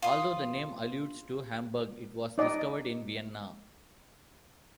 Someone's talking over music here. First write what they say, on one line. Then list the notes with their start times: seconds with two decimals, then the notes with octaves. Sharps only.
Although the name alludes to Hamburg it was discovered in Vienna.
0.02 F4 D#6
2.38 D#4 D5 D#5